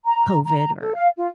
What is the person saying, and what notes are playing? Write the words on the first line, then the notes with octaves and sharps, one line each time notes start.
COVID or,
A#5
A#5
A4
F5
F4